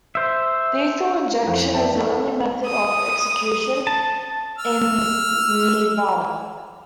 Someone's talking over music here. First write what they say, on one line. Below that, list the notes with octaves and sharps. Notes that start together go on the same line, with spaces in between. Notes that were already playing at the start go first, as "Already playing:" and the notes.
Lethal injection is the only method of execution in Nevada.
C5 E5
F2 E3 A3
D5 E5 G5 A5
A3
D#6
A5
E6 F6